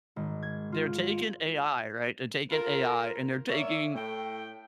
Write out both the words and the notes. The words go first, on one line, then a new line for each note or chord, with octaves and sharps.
They're taking AI, right? They're taking AI, and they're taking,
G#1
G#6
F4
F4 A4 A#4
A#3 C#5 D5 E5
A2 G5